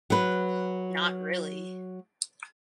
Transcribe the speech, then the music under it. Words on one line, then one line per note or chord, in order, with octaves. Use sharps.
Not really.
F#3 B4